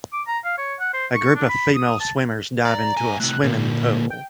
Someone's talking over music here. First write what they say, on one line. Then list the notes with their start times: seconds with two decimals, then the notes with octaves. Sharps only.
A group of female swimmers dive into a swimming pool.
0.13 D6
0.28 A#5
0.45 F5
0.58 C#5
0.80 F#5
0.93 C5
1.14 C#6
1.35 D4
1.49 B5
1.75 D#6
2.00 A5
2.65 D5 A#5
2.97 A2 G#5
3.20 A2 C3 F#6
3.43 A#2 D3 A#3
4.10 G5